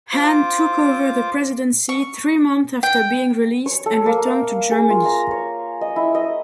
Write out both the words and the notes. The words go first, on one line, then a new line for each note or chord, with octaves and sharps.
Hahn took over the presidency three months after being released and returned to Germany.
F4 C5 D6
C#6
G5
C#5
A4
A#3
F5
G#4
F4
A#5
C#5
D#5
E4
D#5